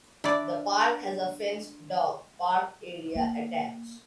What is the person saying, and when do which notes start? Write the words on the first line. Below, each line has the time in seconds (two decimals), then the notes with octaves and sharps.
The park has a fenced dog park area attached.
0.24 D4 E4 D5
3.15 A#3